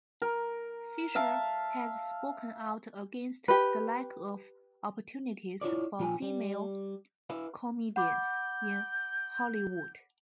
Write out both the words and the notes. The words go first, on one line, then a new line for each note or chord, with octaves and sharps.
Fisher has spoken out against the lack of opportunities for female comedians in Hollywood.
A#4
E5 F5 A5
G4 B4
E4 F4 C#5 D5
A#2 F3 F4 G5 G#5
G3
E4 B4 F5
F#5 B5 D6 G6